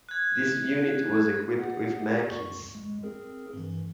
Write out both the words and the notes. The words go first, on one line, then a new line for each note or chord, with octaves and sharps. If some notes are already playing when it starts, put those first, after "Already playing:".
This unit was equipped with Macchis.
F#6 G#6
G4 G#4 F#5
C#2 F#2 C#6
G#3
C4 G#4 A#4
G2 E3